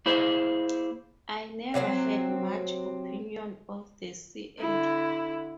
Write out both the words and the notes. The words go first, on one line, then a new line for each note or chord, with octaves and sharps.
I never had much opinion of the sea air.
A#3 E4 G#4 C5
C3 F#3 B3 C4
D3 E4